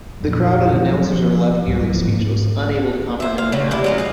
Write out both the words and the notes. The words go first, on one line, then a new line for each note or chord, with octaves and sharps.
The crowd and announcers are left nearly speechless, unable to comprehend what happened.
F2 A#2
B2 F3 F#3 A#3
F3
C2 G#2 F#3 G3
D1 F3
G#2 A3 A#3
C5 E5
F5
C#3 F#3 C#4
C3 D4 E4
F#3 G#3 C#4
F4 G#4